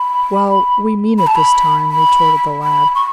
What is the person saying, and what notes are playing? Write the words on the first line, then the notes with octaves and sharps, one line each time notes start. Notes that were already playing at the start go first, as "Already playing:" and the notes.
"Well, we mean it this time," retorted the lad.
Already playing: B5
B5
A5
B5
B5
B5
C#6